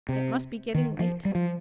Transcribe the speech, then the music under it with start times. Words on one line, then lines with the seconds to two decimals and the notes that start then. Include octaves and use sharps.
It must be getting late!
0.09 C3
0.75 D#3
0.99 F3
1.25 G3
1.35 F3